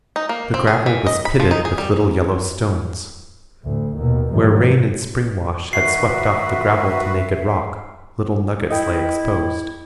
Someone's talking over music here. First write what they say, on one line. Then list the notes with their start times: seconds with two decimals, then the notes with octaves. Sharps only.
The gravel was pitted with little yellow stones. Where rain and spring-wash had swept off the gravel to naked rock, little nuggets lay exposed.
0.16 D#4
0.29 A#3
0.54 C4
0.67 G#4
0.86 E3
1.07 D#5
1.25 B5
1.40 F3
1.51 D#4
1.65 G#4
1.78 G3
3.63 D2 A2
3.96 D#2 B2
4.32 G#2 D#3 F3 G3 A3
5.73 D#3 F#4 B4 E5 C7
8.71 E4 D#5 G5